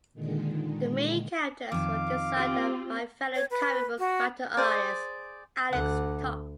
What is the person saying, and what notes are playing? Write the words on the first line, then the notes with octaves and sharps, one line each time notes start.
The main characters were designed by fellow comic book writer-artist Alex Toth.
A#2 D3 D#3 G#3
F2 D#3 F5 D6
C4 F4 G4
C#5
B4
F#4
G#4 C5 D5
D2 D3 F#5